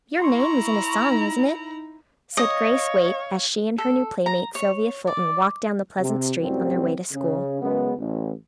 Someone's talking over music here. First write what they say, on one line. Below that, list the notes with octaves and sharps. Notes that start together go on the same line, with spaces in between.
"Your name is in a song, isn't it?" said Grace Waite, as she and her new playmate, Sylvia Fulton, walked down the pleasant street on their way to school.
E4 A#5 C6 C#6
D#4
C#5 D#5 F5
A4
A#5
C#5
D5
C3
C2 F#2 A2 F#3 G3 C4
C#3
F#2 C#3 G#3 B3
A1